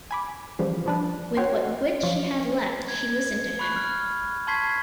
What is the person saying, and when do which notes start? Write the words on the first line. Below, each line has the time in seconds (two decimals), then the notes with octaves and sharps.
With what wits she had left she listened to him.
0.11 G#5 B5 D6
0.59 C#3 E3 F3 G3
0.86 F3 D4 B4
1.37 F#4 C#5 F#5 G5 C6
2.03 F3 F#3 F4 C#5
2.88 G#6
3.59 B5 C#6 F#6 G#6
3.72 F6 F#6
4.47 A5 C6 C#6 G#6 B6 C7